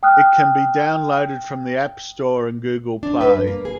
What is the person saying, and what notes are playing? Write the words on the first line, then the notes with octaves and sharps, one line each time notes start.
It can be downloaded from the App Store and Google Play.
G5 D#6 F6 F#6
D4
B4
G2
A#3
G#4